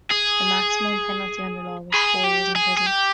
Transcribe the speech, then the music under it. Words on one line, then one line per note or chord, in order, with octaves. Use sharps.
The maximum penalty under law was four years in prison.
G#4
G#4
G4
G#4
G#4
G4